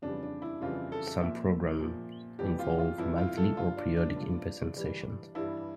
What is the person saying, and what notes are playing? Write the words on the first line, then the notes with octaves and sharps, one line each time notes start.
Some programs involve monthly or periodic in-person sessions.
F2 C#3 E3 G3 D4
D4
E4
F2 C#3 E3 G3 F4
A4
A#2 F3 E5
A#2 F3
F2 E3 G3 G4
F4
F4
F2 E3 G3 E4
F4
A4
G2 F3 F4
D4
D4
G2 F3
G2 E3 G3
G2 E3 G3 E4